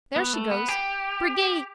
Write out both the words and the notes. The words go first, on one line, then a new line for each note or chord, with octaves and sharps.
There she goes. Brigade!
B3
A3
B3
G4